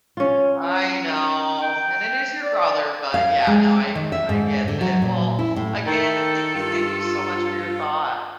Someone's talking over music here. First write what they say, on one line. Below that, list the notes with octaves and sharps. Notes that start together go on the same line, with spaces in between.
I know. And it is your brother, but, yeah, no, I I get that, well, again, thank you, thank you so much for your thoughts.
C#4 F4
G5
D5
F5
G#3
D#3
E5
G#2
D3
F#3
A#2
E4
A2
D#3 A4
G2 F4